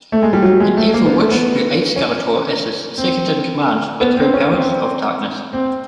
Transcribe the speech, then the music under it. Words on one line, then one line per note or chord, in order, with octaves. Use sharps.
An evil witch who aids Skeletor as his second-in-command with her powers of darkness.
A3
G#3
G3
F#3
G#3
A3
A#3
B3
A3
B3
C#4
C4
B3
C4
C#4
C4
C4